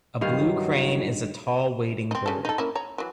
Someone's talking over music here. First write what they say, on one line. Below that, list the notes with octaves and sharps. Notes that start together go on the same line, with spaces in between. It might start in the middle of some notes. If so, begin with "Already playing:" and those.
A blue crane is a tall wading bird.
G2 D#3 E3 F#3 F5
C4 D#4
C#3 A4
D#4 A4
A#3 C#4 E4
C#5 A#5
E3 F#3